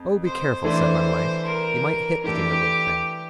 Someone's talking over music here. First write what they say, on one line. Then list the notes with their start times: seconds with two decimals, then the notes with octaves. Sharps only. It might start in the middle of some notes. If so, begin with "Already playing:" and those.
'Oh, be careful,' said my wife; 'you might hit the dear little thing!'
Already playing: F2
0.25 C5
0.64 E3 A3 D4 C5
1.45 A#4
2.24 E3 A3 D4 G4 A4